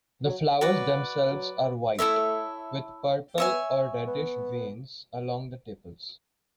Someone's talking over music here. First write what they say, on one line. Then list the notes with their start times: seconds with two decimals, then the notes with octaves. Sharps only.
The flowers themselves are white, with purple or reddish veins along the tepals.
0.26 F#3
0.61 F#3 F#4 B4 D5
1.31 F#3
1.99 A3 E4 A4 C#5 E5
3.37 B3 C#5 E5 G#5
4.07 B3